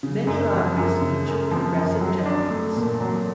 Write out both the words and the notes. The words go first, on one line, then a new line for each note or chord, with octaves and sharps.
Many lotteries feature progressive jackpots.
C#3
F#2
F3
F#2
C#3
F#2
F3
F#2
F#3
D4
A3
A#2
F#3